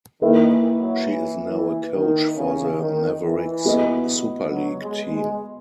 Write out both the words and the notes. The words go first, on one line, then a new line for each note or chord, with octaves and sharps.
She is now a coach for the Mavericks Superleague team.
D#3 A#3 E4 B4 E5
E3
F#3
E3
E3
D#3
C#3
D#3
E3
B3 F#4 B4 D#5
F#3
G#3
G#3